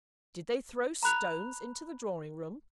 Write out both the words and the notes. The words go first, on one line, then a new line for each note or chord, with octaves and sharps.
Did they throw stones into the drawing-room?'
A#5 B5 F#6 F7